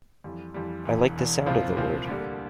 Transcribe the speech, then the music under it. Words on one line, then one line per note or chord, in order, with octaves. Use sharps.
I like the sound of the word.
F2 E3 G3
F2 E3 G3
E1 E2 E3
E1 E2 E3
C2 A#2 F3 C4 F4
C2 A#2 F3 C4 F4
D2 D3 G3 A#3